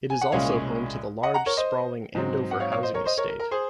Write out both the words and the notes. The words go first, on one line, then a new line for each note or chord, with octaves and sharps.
It is also home to the large, sprawling Andover housing estate.
G#5
F#5
C2 A#2 G#3 C#4 C#5 F5
D#5 F#5
F#5 A#5
A#4 C#5
C5 D#5
G#2 F#3 C4
F#5
C#5 F5
C#5 F5
C5 D#5
A#4 C#5
C5 D#5
A#4 C#5
A#4
A#4
G#4 C5